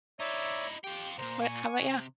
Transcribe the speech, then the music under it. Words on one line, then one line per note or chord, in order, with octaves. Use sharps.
What how about you?
D#4 E4 C#5 D5 E5
F4 G4 G5
C2 A#2 C5 A#5
G#5 C#6
C3